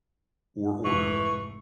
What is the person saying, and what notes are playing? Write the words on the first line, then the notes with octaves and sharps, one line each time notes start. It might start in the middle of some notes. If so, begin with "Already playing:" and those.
or order it.
F1 G#2 E3 A3 C#6